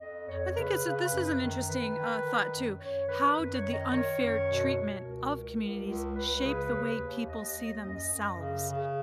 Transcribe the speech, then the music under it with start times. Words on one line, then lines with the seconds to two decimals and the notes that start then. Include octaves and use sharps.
I think it's a this is an interesting, uh, thought, too- how did the unfair treatment of communities shape the way people see themselves?
0.01 F2 D#5
0.29 F2 C#5
0.57 C#3 B4
0.85 C#3
1.13 F#2
1.41 D#3
1.68 D#3 B4
1.96 D#3
2.24 D#3
2.53 F#2
2.80 F#2 C#5
3.08 D#3 B4
3.36 F#2 B4
3.55 C#5
3.64 D#3
3.74 D#5
3.92 D#3 C#5
4.20 F#2
4.48 B2
4.77 B2
5.03 C#2 A#4
5.32 C#2
5.60 C#2
5.87 C#2
6.15 C#2 B4
6.43 C#3
6.72 D#2
7.00 D#2
7.28 D#2 D#5
7.56 D#2
7.84 F#2
8.11 F#2
8.39 C#3
8.68 C#3